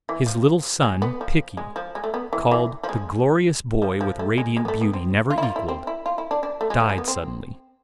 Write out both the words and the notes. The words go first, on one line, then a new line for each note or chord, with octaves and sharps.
His little son Pickie, called "the glorious boy with radiant beauty never equalled," died suddenly.
E3
F3
G#3
B3
F3
G#3
F3
G#3
A3
B3
E3
E3
F3
G#3
F3
F3
A3
G#3
G#3
B3
A3
B3
C4
F4
E4
F4
E4
C4
E4
F4
E4
D4
D4
A3
G#3
F3
G#3
B3
C4